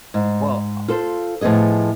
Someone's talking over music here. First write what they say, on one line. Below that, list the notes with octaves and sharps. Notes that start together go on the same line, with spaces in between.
Well, ah
G#2
F4 A4 C5
A2 F3 B3 G#4 D#5